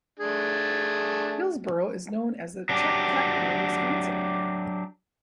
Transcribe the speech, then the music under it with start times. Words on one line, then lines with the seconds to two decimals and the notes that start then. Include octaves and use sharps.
Hillsboro is known as the Czech Capital of Wisconsin.
0.20 A3 D4 G#4
2.69 F#3 D4 G4